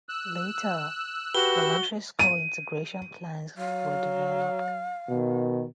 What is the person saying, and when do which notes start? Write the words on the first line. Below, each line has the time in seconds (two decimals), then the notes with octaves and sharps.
Later, voluntary school integration plans were developed.
0.09 E6 F#6
1.35 F#4 G4 B4 G7
2.19 D#7
3.58 F#3 F5
5.09 B2 D#3